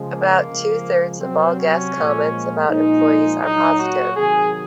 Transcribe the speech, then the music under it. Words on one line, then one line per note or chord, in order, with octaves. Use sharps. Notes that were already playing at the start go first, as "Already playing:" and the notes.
About two thirds of all guest comments about employees are positive.
Already playing: C#3 F3 G#3
A#3
C#3 F3 G#3
C3 F#3 C4
C#4
A#2 F3 G#3
A#2 F3 G#3 D#4
A#2 F#3 D#4
F#4
C3 D#3 F#3 G#4